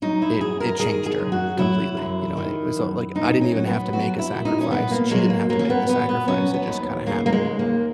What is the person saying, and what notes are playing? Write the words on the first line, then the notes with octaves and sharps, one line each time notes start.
it it changed her completely, you know? And it was, uh, like, I didn't even have to make a sacrifice, and she didn't have to make the sacrifice. It just kinda happened.
F#3 D#4
E4
F#2 G#4
A#4
D#3 G#4
G#4
F#2
F#4
F#3 E4
F#2
D#3
F#2
A#2 D#4
C#4
F#3
B3
F#3 F#4
E4
A#2
D#4
C#4
A#2 B3
A#3
F#3 G#3
A#3
F#3 A#3
C#4
B3
A#2 B3
B3
F#3 C#4
B3
D#2
C#3 A#3
A#3
G#3
D#2
A#3